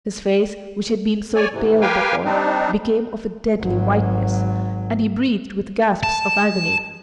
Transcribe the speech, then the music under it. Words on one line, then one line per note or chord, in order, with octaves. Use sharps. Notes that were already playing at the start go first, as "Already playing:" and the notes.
His face, which had been so pale before, became of a deadly whiteness, and he breathed with gasps of agony.
C#5 D5 G#5
G#2 C3 E3
G4 A#4 B4 F5 G5 G#5
G3 C4 D4 D#4
G#1 F#3
A5